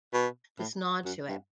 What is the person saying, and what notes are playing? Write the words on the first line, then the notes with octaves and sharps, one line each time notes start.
this nod to it.
B2
A2
F#2
G2